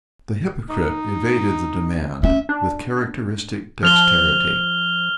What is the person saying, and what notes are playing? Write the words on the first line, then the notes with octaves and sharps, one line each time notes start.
The hypocrite evaded the demand with characteristic dexterity.
D#4
C#4 E5
D4
F3 F6 F7 G7